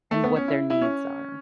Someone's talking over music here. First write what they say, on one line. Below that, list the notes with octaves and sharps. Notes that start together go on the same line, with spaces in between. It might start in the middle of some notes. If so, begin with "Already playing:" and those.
and what their needs are.
A3
B3
C#4
E4
E4
C#4